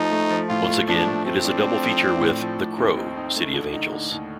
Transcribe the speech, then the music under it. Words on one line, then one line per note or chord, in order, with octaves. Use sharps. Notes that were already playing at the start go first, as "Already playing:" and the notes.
Once again, it is a double feature with "The Crow: City of Angels".
Already playing: F3 A3 D#4
A3
F3
A2 F4
A3
F3 D4
A3
A3 C4
D4
D4
F3
D4
A2
F3
A2
D#2 C4
D#4
D#4
A3
D3
D#4
D3
D#2